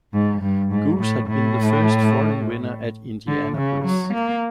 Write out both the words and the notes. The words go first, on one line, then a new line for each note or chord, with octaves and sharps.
Gouz had been the first foreign winner at Indianapolis.
G#2
G2
G#2
A2
A2
D3
C#3
F#3
A#3